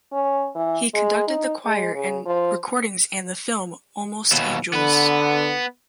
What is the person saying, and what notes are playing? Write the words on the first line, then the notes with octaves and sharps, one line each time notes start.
He conducted the choir in recordings and the film "Almost Angels".
C#4
E3
G#3
D#4
G#3
C#3
F3
D#2 B2
D3 B3 B4